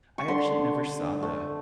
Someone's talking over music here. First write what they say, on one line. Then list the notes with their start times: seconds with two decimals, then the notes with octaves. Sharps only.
I actually never saw the
0.18 C#6
0.28 D3 C6
0.75 D3
1.23 A3